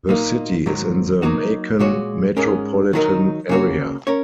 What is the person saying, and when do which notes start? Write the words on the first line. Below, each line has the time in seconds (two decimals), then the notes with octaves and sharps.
The city is in the Macon metropolitan area.
0.09 A#2 A#3 D#4
0.66 G#2 D#3 F#3
1.22 F#3 A#3 D#4 F#4
1.79 A#2 G#3 F#4 C#5
2.37 G#2 G#3 C#4 A#4
2.93 D#3 F#3 D#4 A#4
3.49 C#3 A#3 F#4 A#4 C#5
4.07 C#4 A#4 C#5